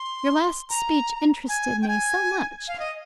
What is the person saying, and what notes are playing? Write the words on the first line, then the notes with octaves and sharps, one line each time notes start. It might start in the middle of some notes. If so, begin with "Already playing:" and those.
Your last speech interested me so much.
Already playing: C6
A#5
G#5
G5
G#5
F5
D#5